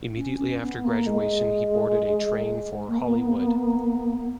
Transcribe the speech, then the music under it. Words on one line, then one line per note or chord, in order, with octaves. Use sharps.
Immediately after graduation, he boarded a train for Hollywood.
C#4
C#4
B3
A#3
G#3
A#3
B3
A#3
B3
A#3
B3
A#3
B3
A#3
B3
A#3
B3
A#3
B3